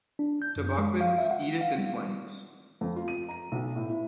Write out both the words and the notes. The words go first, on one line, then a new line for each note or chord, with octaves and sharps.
Tobocman's Edith In Flames.
D4
G6
F#2
G#3
F5
E5
F#5
F5
G3
F2
F4
D#7
A#5
B1
A2
E4